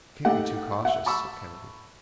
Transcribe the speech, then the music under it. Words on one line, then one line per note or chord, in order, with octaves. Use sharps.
"We can't be too cautious," said Kennedy.
A3 D#4 G4 F#5 G5
E5 F#5
A5 B5 C#6 E6